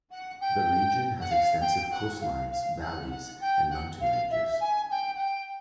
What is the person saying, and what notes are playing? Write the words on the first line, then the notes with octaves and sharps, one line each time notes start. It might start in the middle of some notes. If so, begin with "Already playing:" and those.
The region has extensive coastlines, valleys and mountain ranges.
F#5
G5
F#5
F5
G5
F#5
F5
F5
F#5
F#5
G5
F#5
F5
E5
G#5
G5
F#5
G5